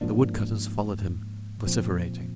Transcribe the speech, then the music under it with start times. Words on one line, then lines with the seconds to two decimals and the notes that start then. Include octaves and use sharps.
The woodcutters followed him, vociferating.
0.01 G#2 F3 A#3 D4
1.66 A#2 F3 C4